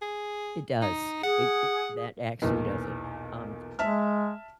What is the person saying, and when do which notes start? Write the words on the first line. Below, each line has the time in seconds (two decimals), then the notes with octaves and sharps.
It does. It it that actually does it. Um,
0.02 G#4
0.82 D#4
1.23 G#4 F#5
2.42 B1 E2 A#2
3.79 G#3 E5 A5 F6